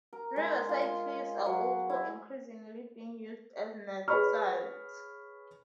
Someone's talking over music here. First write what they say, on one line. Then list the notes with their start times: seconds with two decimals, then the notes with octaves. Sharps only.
Riverside cliffs are also increasingly being used as nest sites.
0.13 A#4
0.36 G#3
0.69 F4
0.82 C6
1.46 F#3
1.90 E4
4.08 G#4 B4 C#5 B5 C#6 F6